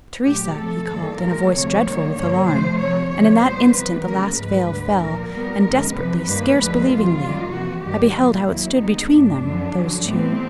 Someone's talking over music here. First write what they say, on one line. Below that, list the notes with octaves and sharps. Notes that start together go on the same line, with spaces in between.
"Theresa!" he called, in a voice dreadful with alarm--and in that instant the last veil fell, and desperately, scarce believingly, I beheld how it stood between them, those two.
A#2 F#3 A3 G4
F2 C3 F3 A3 A4
G2 D#3 G3 A#3
A#2 F3 G#3 A#4
D2 C3 F3 A3 C#5
D#2 D#3 G3 A#3
G2 D3 G3 A#3 C#5
F2 C3 F3 A3 C5
F2 C3 F3 C#5
D2 D3 F3 C#5
A#2 G3 B3 C5
C3 E3 G3 B3 B4
D2 C#3 F#3 A#3 A#4
G#2 F3 G#3 B4
D2 D3 G3
A#2 F3 A#3 A#4
A#2 G3 B3 A#4
F#2 D#3 G#3 B3
F2 C3 F3 B4
G2 D#3 G3 A#3 B4
D2 D3 F3 G#3 B4
E2 C3 F3 F4
F#2 D#3 G3 A#3
F2 C3 E3 F#4
G2 D#3 G3 G4
A#2 F#3 A#3 F4
D#2 D#3 F#3 A#3 E4
D#2 D#3 G#3 B3 D#4
G#2 F3 A3 D4
F#2 D3 F3
F2 D3 F#3
A2 E3 G3 B3 C4